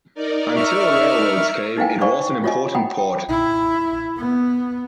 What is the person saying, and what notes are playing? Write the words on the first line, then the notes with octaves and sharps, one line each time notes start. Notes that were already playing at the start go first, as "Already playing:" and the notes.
Until railroads came, it was an important port.
D#4 A#4 D5
E5 C#6 F6
D#4 E4 B4 F5 G5 G#5
C5 D5 F5 G#5 B5 C#6
F4 F#4 C#5 D#5 G#5
F#5 G5 A#5 B5
G5
E4
B3